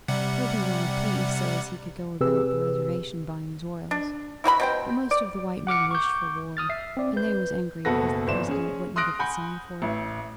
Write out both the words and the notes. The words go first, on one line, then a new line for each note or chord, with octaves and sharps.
Toby wanted peace so as he could go about the Reservation buying his oils. But most of the white men wished for war, and they was angry because the President wouldn't give the sign for it.
C3 G3 F#5
C3 C4 G4 G#4 B4 E6
D4
E4 F#4 C5 B5
B2 C5 G5
D5
F#5 D6 F6 C#7
C#6 D6 G6
D#6 F6 A6
E5 C7
C4 D5
B4 G6
F#1 B2 F#4 A4 B4 A#6
G1 E3 C5 D5 E7
C#4 G#4
C6 D#6 F6 F#6 A#6 D7
F#5 G#5 B5 G6
A1 E4